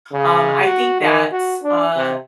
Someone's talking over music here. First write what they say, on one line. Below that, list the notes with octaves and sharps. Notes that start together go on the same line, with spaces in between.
Um, I think that's uh,
C#3
F#4
D#3
F#4
D4
C3